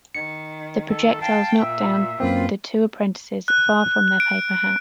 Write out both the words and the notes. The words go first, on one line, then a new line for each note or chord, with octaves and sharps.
The projectiles knocked down the two apprentices, far from their paper hats.
D#3 C#7
A4
F5 G5 A5
A#2 E5
F#2 A#3 C4 F4 B4
F#6
D7